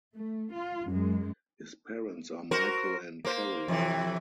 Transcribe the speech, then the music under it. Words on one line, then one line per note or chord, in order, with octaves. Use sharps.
His parents are Michael and Caroline.
A3
F4
F#2 G#3
F#4 A#4 C5
A#3 C5
F2 C3 E3